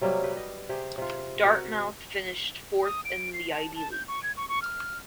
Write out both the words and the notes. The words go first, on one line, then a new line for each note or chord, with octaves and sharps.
Dartmouth finished fourth in the Ivy League.
C3 F#3 G3 A#3
G4 B4
D#5
C3 G4 G#4
C3 F4
F#4 A#4
D#6
D7
C7
A5
A5
G6
C#6
G#6
C#6
C#6
F6